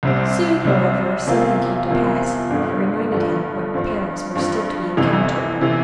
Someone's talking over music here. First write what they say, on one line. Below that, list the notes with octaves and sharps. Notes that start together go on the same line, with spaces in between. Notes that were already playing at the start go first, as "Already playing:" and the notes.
Soon, however, something came to pass, that reminded him what perils were still to be encountered.
C2 C3 G3 C4
C2 C3 G3 C4
E2 C3 F3 A#3 F4
E2 C3 F3 A#3 F4
G1 G2 D3 F3
G1 G2 D3 F3
G2 F3 C4
G2 F3 C4
G1 F2 C3 E3
C3 E3